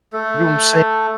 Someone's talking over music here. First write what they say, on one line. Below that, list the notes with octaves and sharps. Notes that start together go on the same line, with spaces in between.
You know I'm saying?
A3 A4